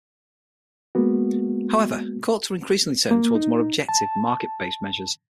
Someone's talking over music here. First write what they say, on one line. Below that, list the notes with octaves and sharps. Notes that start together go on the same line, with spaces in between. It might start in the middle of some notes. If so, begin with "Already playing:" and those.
However, courts are increasingly turning toward more objective, market-based measures.
G#3 A#3 B3 F#4
A#3
D#4
A5